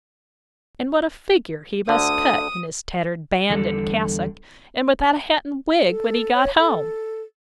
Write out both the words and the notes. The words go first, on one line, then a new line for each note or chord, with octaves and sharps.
And what a figure he must cut in his tattered band and cassock, and without a hat and wig, when he got home.
D2 D3 D#6
E2 D3 G3 A4
A4
C#5
A4